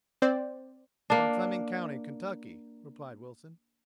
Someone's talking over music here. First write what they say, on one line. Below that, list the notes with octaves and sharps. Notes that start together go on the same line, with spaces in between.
"From Fleming County, Kentucky," replied Wilson.
C4 C5 D5
A#3 D4